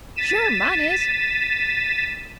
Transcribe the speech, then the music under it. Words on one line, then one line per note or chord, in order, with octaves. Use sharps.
"Sure; mine is."
A6 B6 D#7 E7